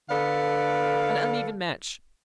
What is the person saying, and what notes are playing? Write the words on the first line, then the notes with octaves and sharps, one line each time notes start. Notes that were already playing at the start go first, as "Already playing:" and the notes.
An uneven match.
D3 B3 A4 D5 F5